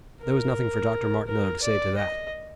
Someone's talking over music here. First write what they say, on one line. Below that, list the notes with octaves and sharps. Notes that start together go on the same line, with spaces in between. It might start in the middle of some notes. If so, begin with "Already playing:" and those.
There was nothing for Dr. Martineau to say to that.
A#4
A#4
D5
D#5